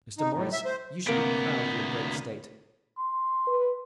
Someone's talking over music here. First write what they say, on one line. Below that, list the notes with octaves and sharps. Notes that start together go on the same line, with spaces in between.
Mr. Morris, you should be proud of your great state.
D#4
A2
E5
C5
D2 C3 A#3 B3 D7
C6
B4